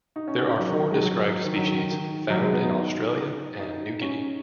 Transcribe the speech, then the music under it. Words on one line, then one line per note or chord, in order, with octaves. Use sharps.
There are four described species found in Australia and New Guinea.
D#4
C#4
F#4
D#4
F#3
D#3
G#3
F#3
D#3
F#3
D#3
D#3
D#3
F#3
G#3
B3
D#4
D#4
C#4